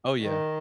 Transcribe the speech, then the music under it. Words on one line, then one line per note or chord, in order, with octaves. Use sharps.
Oh, yeah.
D#3